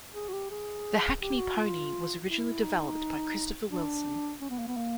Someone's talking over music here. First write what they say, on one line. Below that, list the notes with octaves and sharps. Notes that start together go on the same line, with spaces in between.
The Hackney Pony was originally developed by Christopher Wilson.
G#4
F#4
G4
G#4
G4
F#4
F4
E4
D#4
D4
C#4
B3
A#3
B3
A#3